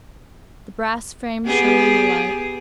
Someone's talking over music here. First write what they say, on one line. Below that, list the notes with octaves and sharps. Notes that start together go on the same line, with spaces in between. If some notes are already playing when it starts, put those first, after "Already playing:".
The brass frame shone in the light.
B3 G4 G#4